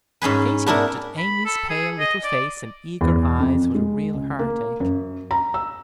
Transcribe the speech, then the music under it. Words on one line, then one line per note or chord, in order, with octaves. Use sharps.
Katy looked at Amy's pale little face and eager eyes with a real heartache.
G#2 C#4 G#4 B4
B3 D4 E4 A#4
B5
A4
G#4
D#5
D5
E2
F2
G#3
C#2
A#3
F#2
A#5
E6